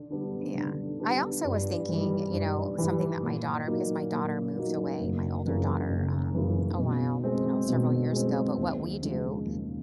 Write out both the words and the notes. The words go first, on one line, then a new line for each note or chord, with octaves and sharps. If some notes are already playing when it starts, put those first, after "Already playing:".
Yeah. I also was thinking, you know, something that my daughter because my daughter moved away, my older daughter, um, a while, you know, several years ago, but what we do,
Already playing: D3
G3 B3 D4
D3
G3 B3 D4
G2
E3 G3
G2
E3 G3
A#2
F#3 A#3 D#4
A#2
F#3 A#3 D#4
F#1
F#2 C#3 E3
F#1
F#2 C#3 E3
B2
G#3 C4
B2
G#3 C4
D#2
C#3 F3 G#3
D#2